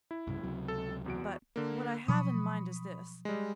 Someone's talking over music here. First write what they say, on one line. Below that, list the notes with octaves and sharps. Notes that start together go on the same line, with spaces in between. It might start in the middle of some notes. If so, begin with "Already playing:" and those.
But what I have in mind is this.
E4
C2 G2 C#3
C#2 C3 F#3
A4
E2 F#4 D7
D3 A#3
B2 F3 F#3 B5 C#6 D#6
G3 G#3